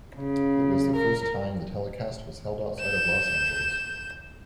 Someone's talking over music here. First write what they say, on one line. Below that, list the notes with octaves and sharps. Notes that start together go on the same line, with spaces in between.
It was the first time the telecast was held outside of Los Angeles.
C#3
A#4
G6 E7